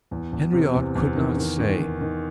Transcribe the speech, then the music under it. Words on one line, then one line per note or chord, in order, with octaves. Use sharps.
Henriot could not say.
E2
E2
C3
E2
E2
D#3
D#3
D#3
D#3
D#3